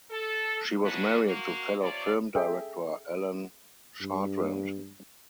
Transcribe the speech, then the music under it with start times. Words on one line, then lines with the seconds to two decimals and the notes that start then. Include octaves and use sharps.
She was married to fellow film director Alain Chartrand.
0.11 A4
0.82 F#3 C#4 D4 E4 F#4 B4
1.24 A#3 F#4
1.81 C3 F3 F4 C#5 D5
2.35 G#4 A4 E5 G5
4.03 G2